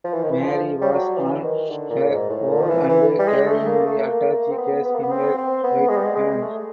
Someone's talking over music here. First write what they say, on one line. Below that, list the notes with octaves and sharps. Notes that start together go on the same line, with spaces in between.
Mary was on her own and carrying the attache case in her right hand.
F3
E3
D#3
E3
F3
G3
F#3
E3
D#3
D3
A#2
G#2
A2
A#2
F3
E3
E3
G3
G#3
A3
A#3
A3
A#3
A#3
C4
B3
B3
A#3
B3
C4
C4
B3
G#3
G3
G#3
G#3
A3